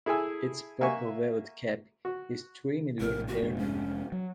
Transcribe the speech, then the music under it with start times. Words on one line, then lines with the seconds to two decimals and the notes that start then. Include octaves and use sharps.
Its purple velvet cap is trimmed with ermine.
0.06 E4 G#4 A4 G#5 E6
0.81 A#3 E5 F#5 G#5 C#6
2.05 F#4
3.01 A#1 A2 C3 A#4
3.28 F#4
3.42 F1 G#3 D4
3.58 C#4
4.12 F#3